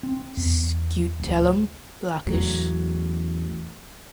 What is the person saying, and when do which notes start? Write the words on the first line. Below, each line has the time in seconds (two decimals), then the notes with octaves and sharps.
Scutellum blackish.
0.03 C4
0.37 E2
1.20 D1
2.26 A1 E2 A2 F#3